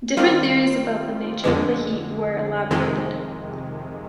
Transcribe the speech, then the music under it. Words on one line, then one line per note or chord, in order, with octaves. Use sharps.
Different theories about the nature of the heat were elaborated.
D#3 G3 C4 F4
F2 D3 G#3
F2 C3 D#3 G#3